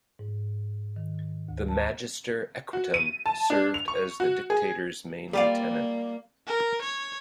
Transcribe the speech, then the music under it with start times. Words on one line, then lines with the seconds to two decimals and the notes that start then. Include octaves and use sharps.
The Magister Equitum served as the Dictator's main lieutenant.
0.19 G#2
0.96 D#3
1.49 D2
1.68 A5
2.73 F#4
2.94 D#7
3.26 A5
3.50 D4
3.74 F7
3.88 C#6
4.20 F#4
4.50 G#4
5.33 G3 A#3 F4 G4 D5 F5
6.47 A#4
6.82 C#5